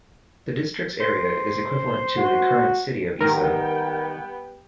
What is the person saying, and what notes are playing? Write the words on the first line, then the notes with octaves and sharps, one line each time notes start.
The district's area is equivalent to the current city of Isa.
C5
F#4
D#3 G3 B3 A#4 G5